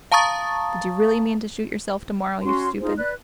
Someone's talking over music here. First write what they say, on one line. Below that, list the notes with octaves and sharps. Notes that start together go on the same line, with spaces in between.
Did you really mean to shoot yourself to-morrow, you stupid?
F5 A5 A#5 C#6 D#6 A6
C#4 F#4 C6
D#4 F4 G#4 C5
B4 D5 F#6